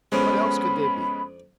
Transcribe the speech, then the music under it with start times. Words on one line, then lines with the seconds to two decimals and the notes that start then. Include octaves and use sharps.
What else could they be?
0.12 F2 G#3 B3 C#4 D4 C5 B5